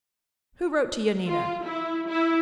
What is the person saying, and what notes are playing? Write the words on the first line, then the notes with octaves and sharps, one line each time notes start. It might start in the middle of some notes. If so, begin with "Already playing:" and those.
"Who wrote to Yanina?"
F4
E4
E4